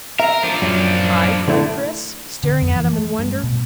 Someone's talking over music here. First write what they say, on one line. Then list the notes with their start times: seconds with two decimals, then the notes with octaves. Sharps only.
"I?" cried Chris, staring at him in wonder.
0.20 A#4 E5
0.44 F3 D4
0.62 F#2
1.48 D3 A3 E4
2.44 D3
2.62 F2
2.76 E3
2.93 A3
3.19 G2
3.43 B2